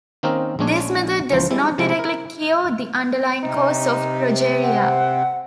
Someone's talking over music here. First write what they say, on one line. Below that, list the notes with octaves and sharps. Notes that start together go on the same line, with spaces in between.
This method does not directly "cure" the underlying cause of progeria.
D#3 A#3 C4 C#4 D#4 A#4
A#1 G#3 C#4 D4 C#5
C#2 E3 F3 C5
G3 G#3 E4
C3 F3 G#3
E4 A#4
C3 D#4
C4 F#5